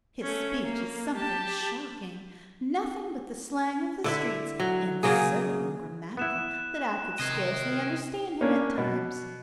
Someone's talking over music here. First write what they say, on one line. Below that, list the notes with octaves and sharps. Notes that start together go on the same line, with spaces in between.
His speech is something shocking; nothing but the slang of the streets, and so ungrammatical that I could scarcely understand him at times.
A3 C#4
A#3
G4 A5
D3 E4 E5
F#3
C#3 F#3 A#3 G#4
B3 E4 F#6 E7
C3 A#4 D#5 F#6 G#6 C7
A#3 C#4 D4
B2